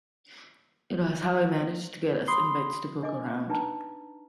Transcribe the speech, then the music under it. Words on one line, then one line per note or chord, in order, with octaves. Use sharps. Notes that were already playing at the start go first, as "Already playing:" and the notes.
It was how I managed to get us invites to poke around.
B5 C6 D#6 C7 G7
D4 D#5 G#5 D6
D4 D#4 B4 G5 A5 A#5